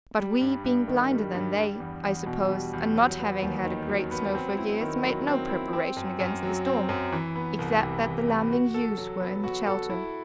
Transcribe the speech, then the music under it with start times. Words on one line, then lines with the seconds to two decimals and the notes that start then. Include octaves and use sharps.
But we, being blinder than they, I suppose, and not having had a great snow for years, made no preparation against the storm, except that the lambing ewes were in shelter.
0.18 G3
0.41 G2
0.64 G2
0.88 D#3
1.10 G3
1.34 G2
1.57 G3
1.80 E2
2.03 E2
2.26 B2
2.49 G3
2.73 E2
2.96 F#3
3.19 B3
3.42 D#2
3.65 D#3
3.89 F#3
4.11 B3
4.35 C4
4.58 E4
4.80 D#3
5.04 F#3
5.27 C4
5.50 E4
5.73 C4
5.97 F#2
6.20 F#2
6.43 F#3
6.66 C4
6.89 F#2
7.12 E3
7.36 B3
7.59 C2
7.82 C3
8.05 E3
8.28 B3
8.51 F#4
8.74 A4
8.97 F#3
9.20 B3
9.44 F#4
9.67 A4
9.90 E4